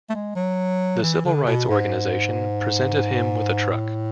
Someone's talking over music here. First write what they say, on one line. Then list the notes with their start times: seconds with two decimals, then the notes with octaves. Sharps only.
The civil rights organization presented him with a truck.
0.10 A3
0.15 G#3
0.36 F#3
1.03 E3
1.25 D3
1.47 B2
1.69 G#2
3.69 A2